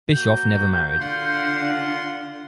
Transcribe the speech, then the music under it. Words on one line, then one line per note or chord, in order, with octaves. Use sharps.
Bischoff never married.
A#3 F#4 G6
D3 F4 F5 F#5 C6